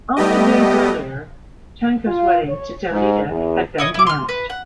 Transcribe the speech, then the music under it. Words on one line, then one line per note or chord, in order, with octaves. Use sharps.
Only days earlier, Tenco's wedding to Dalida had been announced.
G3 A3 B3 G4 D#5
F4
C#5
G#2
E2
E4 C#5 D#5
E4 D6
C6 F6
B4
F#5